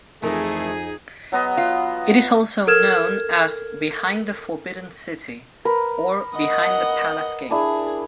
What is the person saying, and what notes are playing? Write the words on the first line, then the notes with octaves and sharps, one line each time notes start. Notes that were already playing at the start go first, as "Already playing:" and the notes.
It is also known as "Behind the Forbidden City" or "Behind the Palace Gates".
F2 E3 A3 D#4 G#4 A#4
F#3 B3 D#5
F4
A4 A#4 F6 G#6 E7
A#4 B4
D#5 F#5
D4 E4 G#4